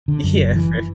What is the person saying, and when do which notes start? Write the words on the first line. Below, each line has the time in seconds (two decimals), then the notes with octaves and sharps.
Yeah, for
0.08 D3
0.23 F#2
0.40 F#1
0.56 E3